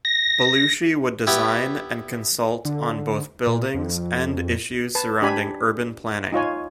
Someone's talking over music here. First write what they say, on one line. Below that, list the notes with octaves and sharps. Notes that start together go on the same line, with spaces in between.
Belluschi would design and consult on both buildings and issues surrounding urban planning.
A#6
B3 E4 G4
D3
A#2
F2
B4 A5
D4 G4 G#5 B5
D#4 F4 C#5 G#5